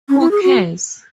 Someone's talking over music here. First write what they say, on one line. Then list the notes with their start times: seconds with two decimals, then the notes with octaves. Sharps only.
Who cares!
0.09 C#4
0.20 E4
0.31 G#4
0.43 F#4